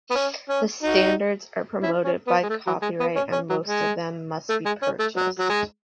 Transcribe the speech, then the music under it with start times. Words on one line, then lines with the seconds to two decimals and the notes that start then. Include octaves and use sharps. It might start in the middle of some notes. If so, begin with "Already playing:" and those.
The standards are protected by copyright and most of them must be purchased.
0.10 B3
0.15 C#4
0.49 C#4
0.82 D#4 F#4
1.82 C#4 E4
2.04 C#4
2.27 B3
2.43 G#3
2.49 A3
2.66 F#3
2.82 G#3
3.00 B3
3.16 C#4
3.32 C#4
3.49 F#3
3.65 G#3
4.49 A3
4.65 G#3
4.82 C#4
4.99 A3
5.16 F#3
5.39 F#3
5.49 G#3